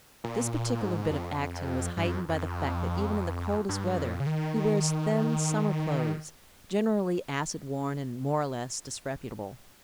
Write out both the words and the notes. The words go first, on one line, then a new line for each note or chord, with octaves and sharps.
This particular bit of acting was heightened by the fact that even in the coldest weather he wears thin summer clothes, generally acid-worn and more or less disreputable.
A#2
A#2
G#2
F2
G2
F2
F2
G2
F2
C#3
D#3
D#3